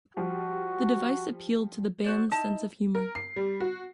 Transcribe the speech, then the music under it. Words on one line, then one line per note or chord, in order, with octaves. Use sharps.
The device appealed to the band's sense of humour.
F3 G3 F#4
F#4 C5 D5
D#4 E4 D#5 A5
A#4
C7
G3
F#4